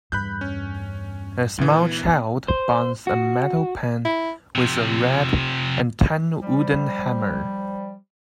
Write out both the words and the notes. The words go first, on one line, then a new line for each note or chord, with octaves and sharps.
A small child bangs a metal pan with a red and tan wooden hammer.
E2 G2 B5 F#6 G6
C#4
D2 A#2 E3 B3
C5
F#4
E4
C3 F3
F3 G3